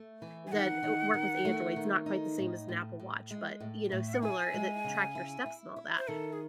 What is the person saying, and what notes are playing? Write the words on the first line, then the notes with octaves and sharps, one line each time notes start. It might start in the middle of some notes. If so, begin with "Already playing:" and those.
that w work with Androids, not quite the same as an Apple Watch, but, you know, similar that track your steps, and all that,
Already playing: A3
E3
G#5
D#3 F#5
D#3
D#3
A3
D#3
D#4
A2
A2
A2
G#3
A2
A2
E5
F#5
E4 G#5
G#3
C#3
E4
E4
E4
C5
D#3 A4
G#4